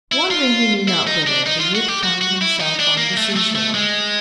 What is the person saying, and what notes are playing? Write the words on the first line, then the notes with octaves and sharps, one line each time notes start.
Wandering he knew not whither, the youth found himself on the sea-shore.
E4
F4
E4
D#4
D4
D#4
F4
F#4
G4
F#4
F#4
E4
D#4
D4
A#3
A3
A3
A3
G#3